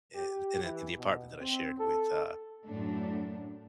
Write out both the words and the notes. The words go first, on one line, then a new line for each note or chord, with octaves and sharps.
in the in the apartment that I shared with, uh,
G4
E3
B2
C4
A4
F#2 A2 A3 D4